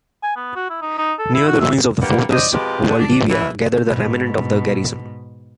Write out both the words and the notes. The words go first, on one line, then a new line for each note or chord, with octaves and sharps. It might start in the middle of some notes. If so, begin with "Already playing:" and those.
Near the ruins of the fortress Valdivia gathered the remnant of the garrison.
G#5
B3
F#4
E4
D#4
D#4
A4
E4
F#4
E5
G2 G3 A#3 G4 B4 F#5
D4 G4 C5 D5 D#5
F2 B2 G#3 F4 G4
A3 C4 D4 F#4 G#4
D4
E3
G#2 B2